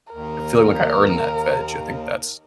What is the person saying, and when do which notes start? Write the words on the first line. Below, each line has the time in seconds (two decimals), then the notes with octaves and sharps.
I feel like I earned that veg. I think that's
0.13 D#2 A#4